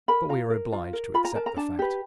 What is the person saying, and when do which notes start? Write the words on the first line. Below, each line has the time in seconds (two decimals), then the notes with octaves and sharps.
But we are obliged to accept the fact.
0.08 A#4 B5
0.29 F4 A#5
0.50 A#4
0.73 F4
0.93 A#4
1.14 F4 B5
1.25 A#5
1.35 A#4 A5
1.46 A#5
1.57 D4 A5
1.79 G4 B4